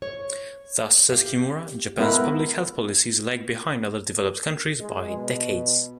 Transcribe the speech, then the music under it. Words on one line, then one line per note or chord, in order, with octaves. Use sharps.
Thus, says Kimura, Japan's public health policies lag behind other developed countries, by "decades".
C#5
G4 F5
G#3 B3 E4 A#4 B4
G#3
B2